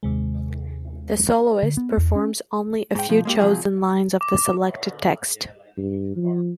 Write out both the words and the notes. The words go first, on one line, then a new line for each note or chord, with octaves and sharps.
The soloist performs only a few chosen lines of the selected text.
D#2 C3 G#3
D3
B3
E2
C#4
G#2 G5
B2 F3
G#3 A#3 G4
C3 F3 F#3 G#3 G#4
D6
G2
F3